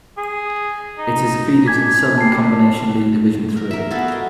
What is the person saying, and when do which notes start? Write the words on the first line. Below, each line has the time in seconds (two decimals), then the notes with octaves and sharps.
It is a feeder to the Southern Combination League Division Three.
0.18 G#4
0.98 D#4
1.66 D4 G#5 G#6 B6
2.18 G3 A5 C7
3.57 A#4
3.71 A#4 E5
3.91 B3 F#4 G#4 A4
4.08 A#4 D#5